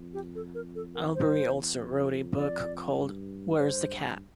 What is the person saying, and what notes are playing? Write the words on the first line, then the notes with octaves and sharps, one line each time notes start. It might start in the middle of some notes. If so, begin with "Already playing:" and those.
Albery also wrote a book called Where's the Cat?
Already playing: F2
G4
A4
A#4
A4
A#4
G2 C5
E2
F2
D5
G2
G2 C5